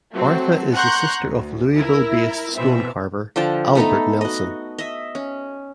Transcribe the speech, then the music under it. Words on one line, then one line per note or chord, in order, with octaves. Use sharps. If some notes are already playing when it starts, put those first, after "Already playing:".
Martha is the sister of Louisville based stone carver Albert Nelson.
F#3 A3 C4 F#4
F#5 A#5 C6 C#6 F#6 G6
D2
E4 A#4
B2 E3 C4 E5
D3 F3 G5 A5
A3 B3 D#4 A4
F#4 D#5
D#5 E5
C#4